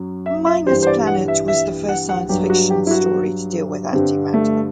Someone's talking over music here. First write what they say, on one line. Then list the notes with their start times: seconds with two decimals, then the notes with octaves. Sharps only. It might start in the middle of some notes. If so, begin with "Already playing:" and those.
"Minus Planet" was the first science fiction story to deal with antimatter.
Already playing: F#2 F#3
0.26 E5
0.46 E5
0.66 G2 E3 G3 C5
0.83 C5
0.87 D5
1.07 F#5
1.28 E5
1.48 E5
1.89 F#5
2.09 F#5
2.29 G2 F#3 G4
2.50 F#4
2.70 G4
2.87 E4
2.91 F#4
3.92 G2 D3 G3 C4
4.34 A3